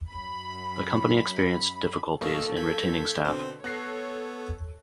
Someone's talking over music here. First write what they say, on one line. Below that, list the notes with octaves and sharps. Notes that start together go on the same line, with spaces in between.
The company experienced difficulties in retaining staff.
F#2 B5
B1 A#3 A4 D#5 F5 C#6 E6
G6 G#6 B6
B2 D3 C4 C5
B3 A4 C#5 F#6 A#6 C7